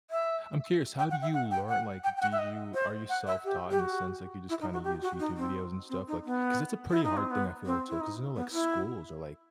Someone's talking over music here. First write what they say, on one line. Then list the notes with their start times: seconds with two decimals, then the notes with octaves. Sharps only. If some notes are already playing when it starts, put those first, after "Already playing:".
I'm curious, how do you learn like, do you are you self-taught, in the sense, like, you just, kinda, use YouTube videos and stuff, like 'cause it's a pretty hard thing, I feel, like to 'cause, you know, like, schools are, like
0.11 E5
0.99 G5
1.11 F#5
1.22 E5
1.34 F#5
1.51 G5
1.69 F#5
2.04 G5
2.17 G5
2.21 F#5
2.32 E5
2.39 D#5
2.74 C5
3.09 F#5
3.27 E5
3.45 G4
3.71 G4
3.80 F#4
4.49 E4
4.61 D#4
4.73 F#4
4.84 G4
5.02 F#4
5.20 D#4
5.37 C4
5.89 C4
6.08 D#4
6.25 B3
6.90 E4
7.03 D#4
7.17 C4
7.31 B3
7.66 C4
7.89 E4
8.01 D#4
8.36 B3
8.53 E4